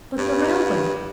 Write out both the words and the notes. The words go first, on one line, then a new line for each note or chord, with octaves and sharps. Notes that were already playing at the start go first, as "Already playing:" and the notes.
"But the railway!"
G2